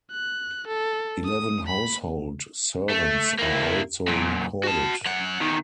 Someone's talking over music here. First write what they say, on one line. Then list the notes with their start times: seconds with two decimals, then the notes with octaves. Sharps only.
Eleven household servants are also recorded.
0.11 F#6
0.67 A4
1.25 D#6
1.67 B5
2.89 A3
3.39 A#3 E4
4.08 F#2 A#2
4.63 F#4 A5
5.06 F#2 F#5
5.40 E2 D#3